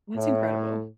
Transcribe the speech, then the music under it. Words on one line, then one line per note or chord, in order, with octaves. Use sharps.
That's incredible.
A2